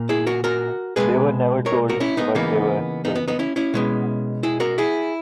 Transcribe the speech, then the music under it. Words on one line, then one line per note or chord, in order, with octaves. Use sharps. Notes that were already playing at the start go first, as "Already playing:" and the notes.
They were never told what they were building.
Already playing: A#2 A#3
E4 G#4
F#4 A#4
F#4 A#4
B2 G#3 B3 G#4 B4
A#4 C#5
F#4 A#4
C#4 E4
B3 D#4
C#3 E3 A#3 B3 D#4
B3 D#4
B3
B3 D#4
C#4 E4
C#4 E4
B2 G#3 B3
E4 G#4
F#4 A#4
E4 G#4